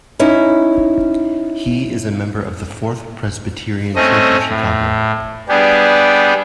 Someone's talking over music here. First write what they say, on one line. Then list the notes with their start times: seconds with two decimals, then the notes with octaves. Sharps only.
He is a member of the Fourth Presbyterian Church of Chicago.
0.19 C#4 D#4 E4
3.95 A3 C4 C#4 D#5
4.49 A2
5.49 G3 B3 D4 G4 G#4